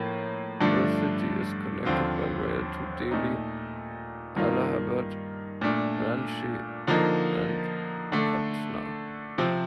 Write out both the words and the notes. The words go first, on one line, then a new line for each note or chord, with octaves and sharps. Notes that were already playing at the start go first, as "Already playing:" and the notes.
The city is connected by rail to Delhi, Allahabad, Ranchi and Patna.
Already playing: A2 F3 A#3
G2 D3 F3 A3 D4
D#2 D3 F3 C4 F4
A#2 A3 D#4
G2 D#3 A#3 F4
A#2 A3 D4
D3 F3 A#3 D#4
D3 A3 D4
C3 F3 C4